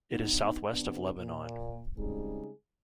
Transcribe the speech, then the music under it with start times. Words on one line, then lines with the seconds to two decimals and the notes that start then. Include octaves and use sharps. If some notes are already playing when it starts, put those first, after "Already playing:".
It is southwest of Lebanon.
0.11 B2 B3 D4 D#4
0.69 C3 B3 D4
1.20 A#2
1.97 C#3 G3 G#3 C4 D#4 G#4